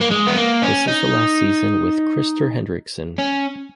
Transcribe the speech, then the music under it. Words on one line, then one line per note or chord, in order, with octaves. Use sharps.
This is the last season with Krister Henriksson.
A#3
G#3
B3
A#3
C#4
D#4
C#4